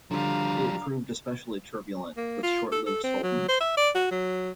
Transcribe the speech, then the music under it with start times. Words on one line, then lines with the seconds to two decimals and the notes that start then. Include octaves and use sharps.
It proved especially turbulent, with short-lived sultans.
0.11 D3 F3 G3 D4 F5 A#5
2.17 A#3
2.43 F4
2.72 A4
2.86 A4
3.03 C4
3.23 F#3
3.48 C5
3.60 E5
3.77 D5
3.95 F#4
4.11 F#3